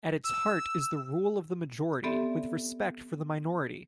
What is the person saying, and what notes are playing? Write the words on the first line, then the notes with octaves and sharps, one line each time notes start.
At its heart is the rule of the majority with respect for the minority.
E6
B3 C4 G4 A4 D5 E5